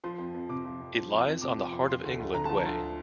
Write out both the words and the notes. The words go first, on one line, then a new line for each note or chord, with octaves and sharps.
It lies on the Heart of England Way.
F3 C6
F2
F2
C3 D6
F3
F2
F3
F2
F2
C3 D6
F3
F2
F3 C6
D2
D2
D3 A#5
F3 A5
A#5
D2